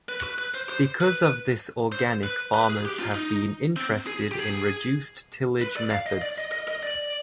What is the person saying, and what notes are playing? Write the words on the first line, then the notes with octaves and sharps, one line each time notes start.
Because of this organic farmers have been interested in reduced-tillage methods.
B4
B4
B4
C5
C5
B4
C5
B4
B4
B4
G#4
G4
F4
D#4
C4
G#4
G4
G#4
B4
D5
F5
D#5
D5
D#5
D#5
D#5
D5